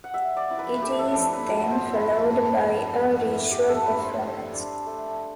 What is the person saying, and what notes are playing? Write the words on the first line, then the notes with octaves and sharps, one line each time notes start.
It is then followed by a ritual performance.
F#5
G3 E5
D5
C4 E4
B4
A3 G4
A4
D4 A4
B4
F#3 B4
C5
C4 E4
B4
G3 A4
D4
G3
B3 E4
A3 G4
A4
D4 B4
C5
G3
D4
A3